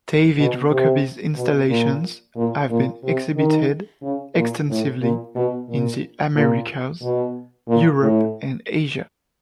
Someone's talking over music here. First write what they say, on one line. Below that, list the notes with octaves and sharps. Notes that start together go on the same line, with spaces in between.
David Rokeby's installations have been exhibited extensively in the Americas, Europe and Asia.
B2
C3
B2
A#2
A#2
A#2
C3
D#3
C#3
A#2
A2
A#2
B2
A#2
A#2
B2
A#2
A2